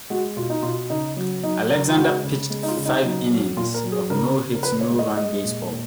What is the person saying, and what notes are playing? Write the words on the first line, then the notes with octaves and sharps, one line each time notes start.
Alexander pitched five-innings of no-hit no-run baseball.
G#3 F#4
B2 F4
D#4
B2 F4
C#3 D#4
F#3
F#3 D#4
C#3 A#4
F4
G#3 F#4
C#3
G#3
D#4
F4
C#3
D#4
F#3 D#4
F#3
A#2 F4
A#4
F#3
G#4
C#3 A#4
C#3
A#4
F3 B4
C#5
G#3
D#5
G#3 D#5
A#2
A#2